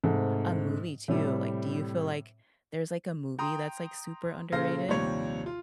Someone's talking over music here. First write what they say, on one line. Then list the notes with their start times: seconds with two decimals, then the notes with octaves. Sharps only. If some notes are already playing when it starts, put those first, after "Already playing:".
a movie too. Like, do you feel, like, there's, like, a movie that's like super underrated?
0.04 G#2 C3 A3
1.08 A2 C3 G3
3.39 G5 A#5 C6 D#6
4.52 A#2 C#3 A4 C5 F5 A#6
4.88 A#1 D#2 C3 G3 C#5
5.46 F4